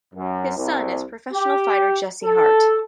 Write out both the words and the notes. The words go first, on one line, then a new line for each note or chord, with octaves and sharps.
His son is professional fighter Jesse Hart.
F#2
C2
G4
A4